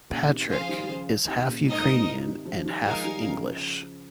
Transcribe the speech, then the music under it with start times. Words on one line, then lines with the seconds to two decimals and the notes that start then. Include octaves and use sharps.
Patrick is half Ukrainian and half English.
0.10 A#2 C#3
0.29 C3 D#3
0.49 C#3 F3 F4 G#4 C5 F5
0.69 D#3 G3
0.83 G3
0.89 C#3 F3
1.28 C3 D#3
1.48 A#2 C#3
1.67 G#2 D#4 A#4 D#5
1.96 G#2 C3
2.26 C3 D#3
2.45 C#3 F3
2.65 D#3 G3
2.84 F3 G#3 D#4 A#4 F5 G#5
3.05 D#3 G3
3.24 C#3 F3